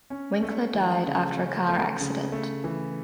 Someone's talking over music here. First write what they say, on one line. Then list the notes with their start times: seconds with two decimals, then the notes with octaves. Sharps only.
Winkler died after a car accident.
0.10 C#4
0.42 A3
0.74 E3
1.06 C#3
1.37 C#4
1.69 A3
2.00 C#3
2.32 A3
2.64 E3